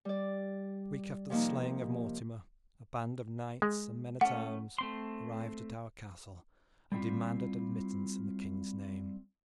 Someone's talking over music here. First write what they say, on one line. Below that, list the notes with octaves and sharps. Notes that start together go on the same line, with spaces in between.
A week after the slaying of Mortimer a band of knights and men-at-arms arrived at our castle and demanded admittance in the king's name.
G3 D5
C3 F3 A#3 D#4
G#3
A3 C#4 F#5
A3 C4 C6
G3 A3 C4 E4 F4